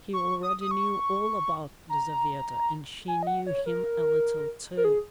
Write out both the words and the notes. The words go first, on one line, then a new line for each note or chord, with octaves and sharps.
He already knew all about Lizaveta and she knew him a little too.
C#6
D#6
D#6
C#6
A#5
G#5
D#5
F#5
C#5
A#4
A#4
G#4